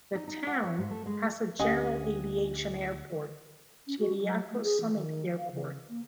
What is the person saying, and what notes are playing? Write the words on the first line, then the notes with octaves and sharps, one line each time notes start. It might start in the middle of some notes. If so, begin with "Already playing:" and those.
The town has a general aviation airport, Chiriaco Summit Airport.
D#4
D#4
F#5
C#5
G#2
A3
G#3
D2 C#4 G4 D#5 F#5 G#5
C#4
F#4
F#3
A3
G#4
E3
D#3
F5
C#3
A#3